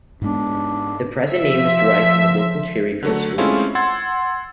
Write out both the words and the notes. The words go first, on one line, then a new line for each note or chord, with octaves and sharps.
The present name is derived from the local Cherry Grove school.
G#2 G#3 B3 D4
F3 E5
D3 F#3 A3
G#3 A3 C4 C#4 E4 F4
F#5 C6 E6 G#6 A6